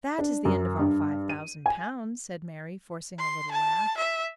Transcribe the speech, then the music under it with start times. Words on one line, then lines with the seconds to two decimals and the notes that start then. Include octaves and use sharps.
"That is the end of our five thousand pounds," said Mary, forcing a little laugh.
0.19 D4
0.45 F#2
0.79 G2
1.29 D#7
1.66 G#5
3.18 C6
3.51 A5
3.97 E5